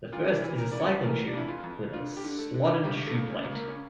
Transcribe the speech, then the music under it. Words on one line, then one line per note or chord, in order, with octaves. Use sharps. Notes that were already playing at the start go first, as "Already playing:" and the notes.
The first is a cycling shoe with a slotted shoeplate.
D2 F4
D4
E4
E3
A#4
C#3 D5
C#5
E3 A#4
D4
F2 E4
F4
F2
D3 F4
G4
D3
A3
D3
A3
C#2 G3
A3
C#2
C#4
C#2
A#3
C#4